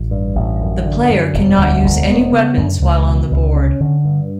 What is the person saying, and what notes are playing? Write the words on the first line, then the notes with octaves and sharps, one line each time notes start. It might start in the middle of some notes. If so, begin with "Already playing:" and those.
The player cannot use any weapons while on the board.
Already playing: A1
G2
A1
F#2
D3
F#2
E1
D2
E1
B3
C#3
F#2
C#2
B2
C#2
C#4
D3
G2